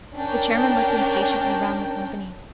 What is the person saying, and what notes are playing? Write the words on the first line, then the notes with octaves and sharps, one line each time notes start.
The chairman looked impatiently round the company.
C#4 D4 A#4 G5